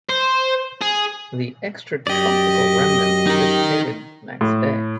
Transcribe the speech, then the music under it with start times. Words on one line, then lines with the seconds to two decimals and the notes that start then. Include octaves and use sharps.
The extratropical remnant dissipated the next day.
0.10 C5
0.82 G#4
2.07 F#2 G4 D5 D#5
3.26 D#4 A#4
4.41 A2